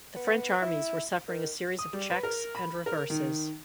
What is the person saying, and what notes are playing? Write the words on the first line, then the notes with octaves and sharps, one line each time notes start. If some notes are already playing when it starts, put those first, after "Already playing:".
The French armies were suffering a series of checks and reverses.
B3
E4
D#3
D#6
G3
B4
A#4
B5
A#4
D#3